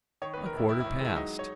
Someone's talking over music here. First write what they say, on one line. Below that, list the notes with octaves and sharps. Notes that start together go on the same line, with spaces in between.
A quarter past.
D#3 C#5
B4
D#2
A#4
E1 E4
E1 E4
E4
D#3
G#3 E4
F#3 D#4
C#5